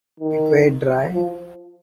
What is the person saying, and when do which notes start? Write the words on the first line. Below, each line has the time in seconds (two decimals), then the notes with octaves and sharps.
It weighed dry.
0.20 D#3
1.13 F3